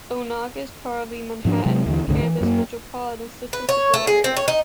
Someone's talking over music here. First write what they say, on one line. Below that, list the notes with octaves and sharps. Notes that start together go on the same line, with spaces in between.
Onaga is part of the Manhattan, Kansas Metropolitan Statistical Area.
G#2 F3 C4 D4
C3 F#3 G#3
D#2 D3 E3
C2 G2 D3 A3
E3
F#2 G3 A#3
B4
C#5
A3
G#4
C4
C#5
D#4